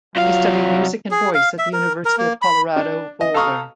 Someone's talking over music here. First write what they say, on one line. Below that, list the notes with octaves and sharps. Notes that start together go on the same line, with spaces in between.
He studied music and voice at the University of Colorado Boulder.
C2 F#3 F4 F5
G#4
F5
E5
A#4
A#4
A#3
B5
D4
D#5
A4 F5 A#5 C#6 D#6 F6